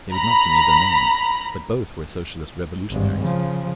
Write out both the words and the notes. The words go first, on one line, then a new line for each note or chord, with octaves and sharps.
They would not give me their names, but both were Socialist Revolutionaries....
A#5 B5
G#1 G2
C#3 F3